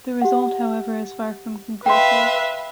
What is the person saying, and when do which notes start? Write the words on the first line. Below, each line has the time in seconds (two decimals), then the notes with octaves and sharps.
The result, however, is far from conclusive.
0.22 G4 F#5
1.86 B4 E5 F5 G5 C6